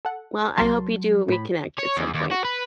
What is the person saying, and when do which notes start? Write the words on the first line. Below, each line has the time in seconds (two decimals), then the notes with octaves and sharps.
Well, I hope you do reconnect at some point,
0.05 A4 F#5
0.58 C2 F#3 A#4 A5 C6
1.28 A2 B5
1.79 C#5
1.97 E2
2.14 D#2
2.31 F#4
2.45 B4